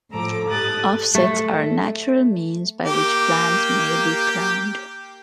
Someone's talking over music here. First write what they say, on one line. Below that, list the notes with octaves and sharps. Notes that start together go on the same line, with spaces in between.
Offsets are a natural means by which plants may be cloned.
A2 F3 A4 A#5 D6
G#2 G4 A4 D#6 F#6 A6
A3
A#3 G4